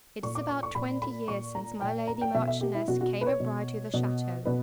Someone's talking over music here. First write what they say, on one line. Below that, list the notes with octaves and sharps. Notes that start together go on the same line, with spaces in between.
'It is about twenty years since my lady Marchioness came a bride to the chateau.
A#2 C#6
D6
C#6
C#6
A#2 B5
B5
A#2 C#6
A#5
A#2 G5
A#5
G5
B2 E5
E5
G4
E4
B2 F#4
F#4
B4
C#5
B2
B2
B2 B4